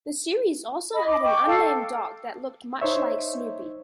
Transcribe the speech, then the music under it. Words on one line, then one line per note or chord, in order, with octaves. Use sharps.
The series also had an unnamed dog that looked much like Snoopy.
D#5 B5
D#5 D6
G5 C#6 D6
A4 F5
D#4 C5 C#5 E5